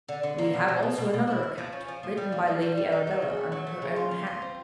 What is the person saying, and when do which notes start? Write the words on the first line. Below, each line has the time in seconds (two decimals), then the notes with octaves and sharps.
We have also another account, written by Lady Arabella under her own hand.
0.09 D3
0.23 D3
0.38 A#3
0.54 B2
0.68 B2
0.83 B2
0.98 B2
1.14 B2
1.27 E4
1.43 E4
1.58 F3
1.73 C#4
1.88 F3
2.03 F3
2.17 G3
2.32 A#3
2.47 G3
2.62 G3
2.77 G3
2.92 D#4
3.07 F#3
3.22 C#3
3.37 A3
3.52 F#3
3.67 A3
3.82 C#3
3.96 F4
4.11 F4
4.27 F4
4.42 C4